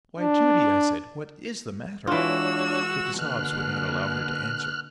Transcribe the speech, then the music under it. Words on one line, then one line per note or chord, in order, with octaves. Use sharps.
"Why, Judy!" I said, "what IS the matter?" But the sobs would not allow her to answer.
D4
E3 G#3 D4 F4 F#4 C#5 E6
B2 D3 A#3 F6 F#6